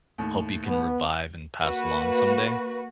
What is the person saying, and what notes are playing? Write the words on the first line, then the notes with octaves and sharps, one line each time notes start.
hope you can revive and pass along someday?
D#2 A2
B3 B4
A#3 F#4 B4